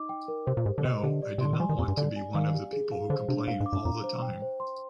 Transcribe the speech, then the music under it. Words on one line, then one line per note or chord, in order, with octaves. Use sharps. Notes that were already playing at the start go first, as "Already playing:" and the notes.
No, I did not want to be one of the people who complain all the time.
Already playing: D#4 D#5 D6
G5
A#4
C3 C5
A#2
G#2 G4
D3
C3 D#5
D3 G4
D5
C3
D3 C6
D#3
F3 G#5
D#3
F2 G4
G2
D3 D5
G#5
D#3 F5
G4
G#4
F5
D3 C5
C3 D4
A#2 F5
G#2
D6
G2
F2 A#5
C5
G5
C5
C6